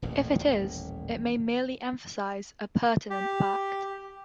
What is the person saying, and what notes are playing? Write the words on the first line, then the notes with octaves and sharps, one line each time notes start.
If it is, it may merely emphasize a pertinent fact.
D#1 A1 A#2
G4